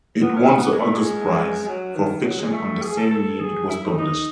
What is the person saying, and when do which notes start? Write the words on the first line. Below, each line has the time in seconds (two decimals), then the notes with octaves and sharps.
It won the August Prize for Fiction on the same year it was published.
0.22 B3
0.36 C#4
0.51 B3
0.72 G#3
0.79 A3
0.95 G#3
1.67 F#3
1.95 D#3
2.24 F#3
2.39 G#3
2.53 A3
2.82 G#4
2.97 A4
3.10 A4
3.40 G#4
3.69 E4
3.84 D#4
3.98 D#4